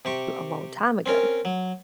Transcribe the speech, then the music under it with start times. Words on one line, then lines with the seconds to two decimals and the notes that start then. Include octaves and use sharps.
a long time ago,
0.05 C3 G4 C#6
1.06 C4 C#4 A#4
1.45 F#3